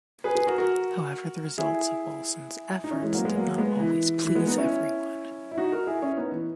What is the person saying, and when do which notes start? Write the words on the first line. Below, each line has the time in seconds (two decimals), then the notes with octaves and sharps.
However, the results of Balsan's efforts did not always please everyone.
0.24 G#4 B4
0.35 G#4 B4
0.47 F#4 A#4
0.58 F#4 A#4
1.58 E4 G#4
2.84 D#4
2.91 C#4 E4
3.02 E3 G#3
3.14 F#3 A#3
3.25 G#3 B3
3.36 F#3 A#3
3.58 G#3 B3
3.80 E3
4.25 E3
4.35 G#3 B3
4.47 B3 D#4
4.58 C#4 E4
5.52 E4
5.58 D#4 F#4
5.72 F#4 A#4
5.87 E4 G#4
6.02 C#4 E4
6.17 B3 D#4
6.32 E3